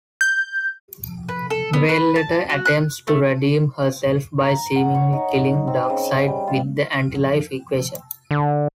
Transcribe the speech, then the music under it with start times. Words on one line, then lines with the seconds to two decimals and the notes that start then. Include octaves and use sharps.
Grail later attempts to redeem herself by seemingly killing Darkseid with the anti-life equation.
0.21 G6
1.29 B4
1.50 A4
1.73 B3
1.89 B4
2.16 A5
2.50 F#4
2.65 F#6
3.08 A3
4.41 A#5
4.76 F#5
4.95 C#5
5.13 D#4
5.67 C4
5.90 C#3
6.28 G3
6.47 F4
8.31 D3